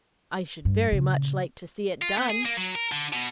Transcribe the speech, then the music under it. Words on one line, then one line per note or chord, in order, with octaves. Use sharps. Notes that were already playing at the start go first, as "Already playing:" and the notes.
'I should very much like to see it done.
G2
A#2 C#3
F4
B3
G#4
A#3
F#3
A#4
D3
B2